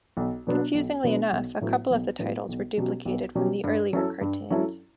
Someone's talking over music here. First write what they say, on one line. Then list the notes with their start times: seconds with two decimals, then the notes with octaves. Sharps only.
Confusingly enough, a couple of the titles were duplicated from the earlier cartoons.
0.17 B1
0.47 B2 F#3 B3 D4
0.74 B1
1.04 B2 F#3 B3 D4
1.32 B1
1.61 A2 F#3 B3
1.91 B1
2.19 A2 F#3 B3
2.49 B1
2.77 B2 F#3 C#4 G4
3.05 B1
3.35 B2 F#3 C#4 G4
3.64 G2
3.93 F#3 C#4 E4 A4
4.21 G2
4.50 F#3 C#4 E4 A4